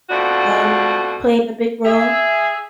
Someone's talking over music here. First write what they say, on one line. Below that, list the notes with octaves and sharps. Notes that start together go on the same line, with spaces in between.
um, played a big role
B2 A3 C4 D4 F4 F#4
G#4 E5